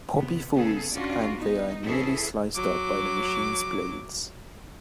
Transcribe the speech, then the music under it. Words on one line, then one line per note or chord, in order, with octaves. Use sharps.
Poppy falls and they are nearly sliced up by the machine's blades.
C3 B3
C#3 B3 G#4 A4
C#4 D4 F4 F#4 D5
B3 D#4
E3 C#4 E4 G#4 A4
F#3 D6